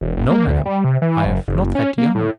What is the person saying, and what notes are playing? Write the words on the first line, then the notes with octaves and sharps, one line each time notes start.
"No, madam, I have not had the honor."
E1
F#1
A#3
D2
G3
C3
E3
F#1
F#1
C#4
A#3
A2